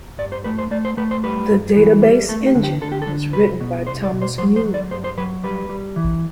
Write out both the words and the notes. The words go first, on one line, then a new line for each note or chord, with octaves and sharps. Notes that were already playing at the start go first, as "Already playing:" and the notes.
The database engine was written by Thomas Mueller.
G2 D5
C5
A3 B4
C5
A3 D5
C5
A3 B4
C5
G3 B4
G2
E3
G3
A3 A4
G4
D3
G4
D3 A4
G4
A4
D3
C2 B4
B2
C2 C5
D5
B2
C5
F#3 C5
C5
F#3
D5
G2 C5
C5
F#3 B4
G3 B4
G3
E3